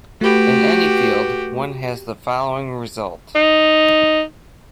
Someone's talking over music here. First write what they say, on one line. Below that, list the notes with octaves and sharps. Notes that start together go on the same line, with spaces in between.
In any field, one has the following result.
A3 F#4 G4 B4
D#4